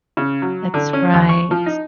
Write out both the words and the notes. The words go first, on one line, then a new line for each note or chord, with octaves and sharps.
That's right.
C#3
F#3
D3
C#4
D#2
C#6
F3
D#4